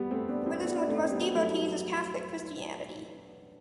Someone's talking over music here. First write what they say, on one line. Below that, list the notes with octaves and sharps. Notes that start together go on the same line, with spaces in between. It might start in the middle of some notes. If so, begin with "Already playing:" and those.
The religion with the most devotees is Catholic Christianity.
Already playing: G3 B3
A3 C4
B3 D4
C4 E4
B3 D4
D4
A3 C4
C4
G3 B3
F#3 A3